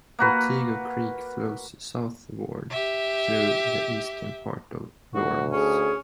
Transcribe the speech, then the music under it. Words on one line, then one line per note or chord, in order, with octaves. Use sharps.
Otego Creek flows southward through the eastern part of Laurens.
A#3 F#4 B4
G4 E5
D2 F#4
C#4 G#4